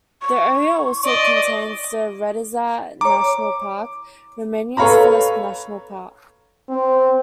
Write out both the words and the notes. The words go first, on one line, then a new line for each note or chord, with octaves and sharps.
The area also contains the Retezat National Park, Romania's first national park.
C#6
D5 D#5
C#5 A#5 D6
A4 B4 C#5 F5 A#5 B5
C4